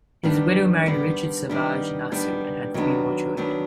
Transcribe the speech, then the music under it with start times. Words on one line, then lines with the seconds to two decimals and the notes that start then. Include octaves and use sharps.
His widow married Richard Savage Nassau and had three more children.
0.23 D#3 G3 B3 D4
0.86 D#3 G3 B3 D4
1.49 D#3 G3 B3 D4
2.12 D#3 G3 B3 D4
2.74 D#3 F#3 B3 D4
3.37 D#3 F#3 B3 D4